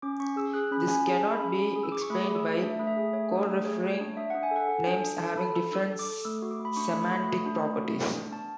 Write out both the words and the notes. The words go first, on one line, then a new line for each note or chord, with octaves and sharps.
This cannot be explained by coreferring names having different semantic properties.
C#4 D6
C#4 C#6
G#4 E6
G#4 F#6
C#4 B5
C#4 G#5
G#4 A5
G#4
B5
C#4
C#4
G#4
E6
G#4 D6
C#6
A3 B5
D6
G#4
E6
A3
D4 E5
A3
E5
G#4
A3 C#5
D4
A3
G#4 C#5
A3
C#5
D4
D4 E5
F#5
D4
G#5
A4 F#5
A4 G#5
D4
D4
A4 A5
A4 B5
D4 E6
D4 E6
A4
D6
A4
A3 E6
F#4
D6
A3
B5
D4 C#6
A3 B5
F#4 B5
A3
D4
A3
F#4
A3
D4
B3 A5